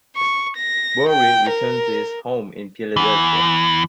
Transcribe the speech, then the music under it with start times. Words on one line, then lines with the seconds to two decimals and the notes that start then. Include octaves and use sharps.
Borie returned to his home in Philadelphia.
0.16 C#6
0.57 A#6
1.09 G5
1.50 A#4
2.96 E2 E3